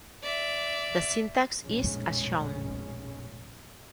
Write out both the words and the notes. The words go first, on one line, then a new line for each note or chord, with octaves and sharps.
The syntax is as shown.
D5 E5
F1 A#1 G#2 B2 G#3 C#4